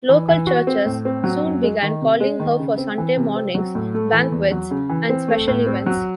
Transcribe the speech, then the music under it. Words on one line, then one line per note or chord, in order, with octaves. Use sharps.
Local churches soon began calling her for Sunday mornings, banquets and special events.
E3
E3
F#4
C4
A2
C4
F#3
F#2
G#3
D#3
C3
G#3
D#3
C#3
C4
E3
C3
C4
F#3
A2
A3
E3
E2
F#3
C#3
E3
C4
A3
A2
C4
F#3